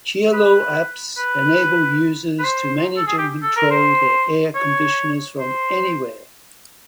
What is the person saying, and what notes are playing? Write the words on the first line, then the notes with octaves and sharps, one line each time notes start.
Cielo apps enable users to manage and control their air conditioners from anywhere.
B4
B4
B4
C5
A4
G#4
G4
A4
A#4
C5
C#5
C5